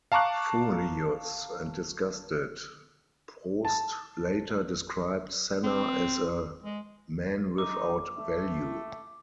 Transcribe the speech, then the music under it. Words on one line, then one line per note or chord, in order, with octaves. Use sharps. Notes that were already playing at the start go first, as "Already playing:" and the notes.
Furious and disgusted, Prost later described Senna as "a man without value".
F5 A5 A#5 C#6 D6 F#6
A5
C4
G#3
F#1 D#4 A#4 D6
A3 E5